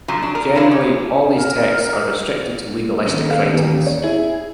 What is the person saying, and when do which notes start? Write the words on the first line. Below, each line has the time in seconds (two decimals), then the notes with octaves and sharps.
Generally, all these texts are restricted to legalistic writings.
0.08 A#2 D3 F3 F#3
0.22 D4
0.35 A#4
0.55 D4 E4 F4 A4 A#4
0.71 G4 C#5
1.34 A#4
3.07 D#3 A#3 C#4
3.27 A4 B4 F5
3.53 A1 D#2
3.87 C#5
4.04 E4 G#4